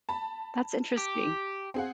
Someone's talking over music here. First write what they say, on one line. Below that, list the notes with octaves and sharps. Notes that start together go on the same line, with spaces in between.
that's interesting.
A5 B5
G4
C4 G#4 F#5